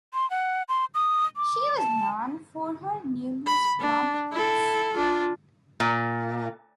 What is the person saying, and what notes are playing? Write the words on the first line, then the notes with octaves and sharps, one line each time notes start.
She was known for her numerous philanthropies.
C6
F#5
C6
D#6
D6
A5
B5
D4
E4 A4
D4 F4
A#2